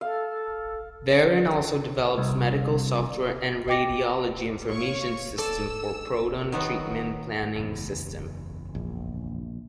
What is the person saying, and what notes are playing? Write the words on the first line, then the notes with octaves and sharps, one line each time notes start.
Varian also develops medical software and radiology information system for proton treatment-planning system.
A4 F5
C2
D#5 G5 D6 A#6 C#7
C#5 F5 C#6
A4 D5 E6
D#3 F#3 B3 F#4
F#1 E2
A#1